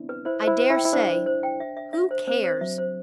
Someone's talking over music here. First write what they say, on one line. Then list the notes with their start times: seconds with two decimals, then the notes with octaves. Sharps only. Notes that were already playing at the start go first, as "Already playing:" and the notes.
I dare say. Who cares?
Already playing: B3 C4 D4 E4
0.09 B4
0.25 E4 C5
0.42 C5
0.47 E4
0.59 C5
0.70 E4
0.76 G5
0.85 E4
0.93 D4 C5
1.09 C5
1.26 C5
1.43 G5
1.60 E5
1.77 E5
1.93 E5
2.11 C5
2.27 C4 C5
2.44 C5
2.61 F#3 E5
2.78 C5